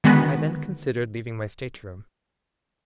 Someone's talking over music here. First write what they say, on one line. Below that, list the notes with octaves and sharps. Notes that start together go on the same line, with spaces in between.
I then considered leaving my stateroom.
D3 D#3 G#3 B3 F#4 B4